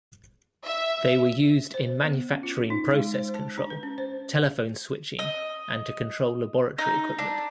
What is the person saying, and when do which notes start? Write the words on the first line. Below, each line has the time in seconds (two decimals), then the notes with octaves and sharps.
They were used in manufacturing process control, telephone switching and to control laboratory equipment.
0.65 E5
1.74 C5
2.04 B3
2.30 C#4
2.43 F4
2.70 D#4
2.93 G#3
3.14 C5
3.34 A5
3.58 D4
3.70 B4
3.83 C#4
3.98 C5
5.19 D#5
6.78 D#4
7.19 D4